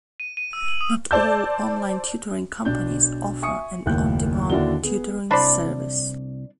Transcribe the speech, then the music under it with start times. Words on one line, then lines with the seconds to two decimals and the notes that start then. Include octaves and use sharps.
Not all online tutoring companies offer an on-demand tutoring service.
0.20 D#7
0.37 D#7
0.53 E6
0.68 F#7
0.81 D#6
1.11 C5 D5 A5 E6 G6
2.65 B1 D4 G6
3.42 E5 G#5 C#6 D#6 C#7
3.86 F#1 D#2 A2 F#6 G6
4.50 D#2 D3 D4 E4 F#4 G7
4.83 B3 G#4
5.31 C2 D4 C5 D5 B5 C6